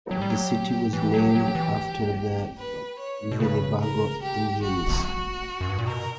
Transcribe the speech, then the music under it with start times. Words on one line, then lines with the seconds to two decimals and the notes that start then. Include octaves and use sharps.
The city was named after the Winnebago Indians.
0.11 F#3 G4
0.22 G3
0.30 F#3
0.93 E3 G4
1.14 F#3
1.35 F#3
1.55 E3
2.58 B4
2.99 C#5
3.32 B2
3.40 C#3 B4
3.81 A#4
4.22 G4
4.63 F#4
5.05 F#4
5.61 F#2
5.69 G2
5.79 A#2
5.87 B2 A#4